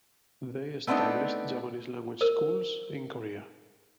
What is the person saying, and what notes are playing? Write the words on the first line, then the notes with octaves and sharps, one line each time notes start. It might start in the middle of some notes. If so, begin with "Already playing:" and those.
They established Japanese language schools in Korea.
A3 B3 C4 D4 D#4
A#4 C5 E6